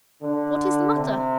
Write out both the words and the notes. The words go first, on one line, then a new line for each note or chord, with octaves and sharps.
'What is the matter?
D3
C3